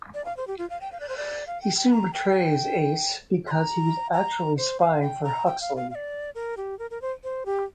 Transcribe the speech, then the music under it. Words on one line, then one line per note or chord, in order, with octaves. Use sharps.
He soon betrays Ace because he was actually spying for Huxley.
D5
F5
C5
G4
F4
F5
G5
F5
D5
C5
D5
F5
G5
G5
A#5
G5
C6
A#5
A#5
C5
F5
G5
A#5
G5
F5
F5
F5
D5
A#4
G4
A#4
A#4
C5
C5
G4